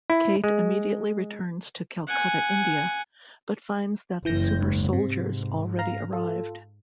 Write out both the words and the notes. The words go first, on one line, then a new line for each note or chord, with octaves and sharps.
Cate immediately returns to Calcutta, India, but finds that the Super-Soldiers already arrived.
E4
G#3
F#5 G#5
F#1 E3 G6 A#6
C#2 G#2
G#2 C3
F5 A#5
F4 A4